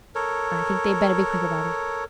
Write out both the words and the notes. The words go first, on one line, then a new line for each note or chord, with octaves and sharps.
I think they'd better be quick about it.'
A4 A#4 C#5